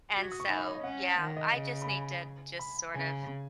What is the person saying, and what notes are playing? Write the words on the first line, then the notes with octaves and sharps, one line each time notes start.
and so yeah I just need to just sort of
F#4 B6
G#6
D#6
C#6
D#4 B5
D#5
C#5
D#5
C#4 F#5
D#3
D#5
C#3
B5
G#5
B5
C#3 G#5